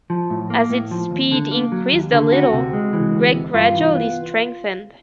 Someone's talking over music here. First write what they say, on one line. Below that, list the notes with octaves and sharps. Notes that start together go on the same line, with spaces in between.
As its speed increased a little, Greg gradually strengthened.
F3
A2
A#3
A2
F3
D#2
D3
A#3
F#3
D#2
D3
D2 F#4
C3
G#3
E3
D2
C3
G2 F4
E3
B3